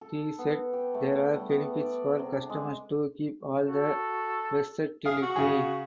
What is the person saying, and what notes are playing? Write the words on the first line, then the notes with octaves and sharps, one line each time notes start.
He said there are benefits for customers to keep all the versatility.
A4
B3
G4
A3
A4
G3
B3
D5
C3
D4
G#3
F#4 A4
G#4 F5
F#4
C#3 G#4